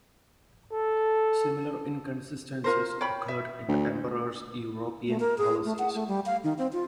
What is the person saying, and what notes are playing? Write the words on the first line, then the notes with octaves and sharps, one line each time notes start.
Similar inconsistencies occurred in the emperor's European policies.
A4
F4 A#4 C5
C#5 G5 B5
E5
D2
A3
A#4
G#4
A3
F#5
A3
G3
F5
D#3
C4
F4